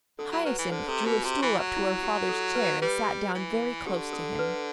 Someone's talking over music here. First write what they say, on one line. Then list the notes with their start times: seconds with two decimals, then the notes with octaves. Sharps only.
Hyacinth drew a stool up to her father's chair and sat down very close to him.
0.19 D3 A4
0.32 F#3
0.45 F#3 B4
0.59 E3
0.71 D3 C5
0.88 C3 A4
1.06 B2 G4
1.24 C3 F#4
1.42 E3
1.59 F#3
1.77 E4
2.03 G4
2.29 A4
2.55 B4
2.82 G3 B4
3.35 E3
3.86 D3 G4
4.13 A4
4.39 B4